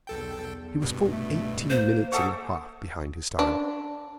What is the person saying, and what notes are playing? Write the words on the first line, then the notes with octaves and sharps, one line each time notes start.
He was full eighteen minutes and a half behind his time.
B1 E2 A4 G5
C2 G2 B2
A3
A#3 C5
G#4 A4 C#5 E5 F#5 D6
D4